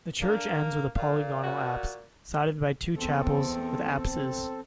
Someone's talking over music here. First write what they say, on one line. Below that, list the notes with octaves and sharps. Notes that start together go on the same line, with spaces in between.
The church ends with a polygonal apse, sided by two chapels with apses.
A#3 D4
A#2 F5
F#4
E2 C4 A4